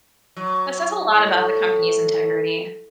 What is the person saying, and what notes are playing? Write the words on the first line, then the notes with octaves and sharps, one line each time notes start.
That says a lot about the company's integrity.
F#3
A2